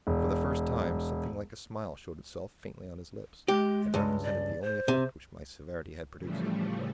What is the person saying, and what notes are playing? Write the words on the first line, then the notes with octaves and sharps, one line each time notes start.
For the first time, something like a smile showed itself faintly on his lips--and represented the only effect which my severity had produced.
E1
G#3 G4
C#2 G2
D5
C5
C3
A2 C#3 E3 F3 G3 A3